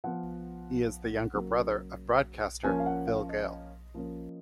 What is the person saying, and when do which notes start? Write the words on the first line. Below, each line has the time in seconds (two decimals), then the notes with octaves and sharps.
He is the younger brother of broadcaster Phil Gayle.
0.04 F3 B3 F#5
1.34 C#3 F#3 A#3
2.64 F3 A#3 C#4 G#5
2.80 F5
2.86 F#5
3.07 F5
3.29 D#5
3.94 F3 A#3 C#4